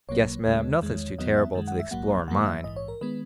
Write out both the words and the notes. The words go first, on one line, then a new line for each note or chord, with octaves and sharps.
'Guess, ma'am, nothin's too terrible to the explorin' mind.
B1 B2 F#3 A#3 C#5
D#2 C#3 G#3
E2 D#3 G#3
E2 D#3 F#3 B3 D#5
E5
F#2 D#3 G#3
F#5
E5
A#1 G#2 F#3 A#3 F#5
F#2 D#3 F#3 A#3 F#5
E5
A#1 G#2 E3 D#5
C#5
A#4
D#3 G#3 B3 B4